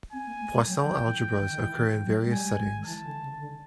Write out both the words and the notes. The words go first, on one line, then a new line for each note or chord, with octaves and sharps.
Poisson algebras occur in various settings.
C4 G#5
A#3
A3
G#3
F#3 G5
F3
E3
D#3
D#3
E3
E3
F#3
G#3
G3 G#5
G#3
D#3
E3 A5
D3
C#3
C#3
D3